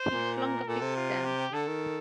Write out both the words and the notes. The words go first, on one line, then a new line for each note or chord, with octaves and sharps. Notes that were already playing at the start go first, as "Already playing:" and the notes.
He flung up his stem.
Already playing: C5
A#2
A#4
A#2 A4
C3
F4
G4
D3 A4
D#3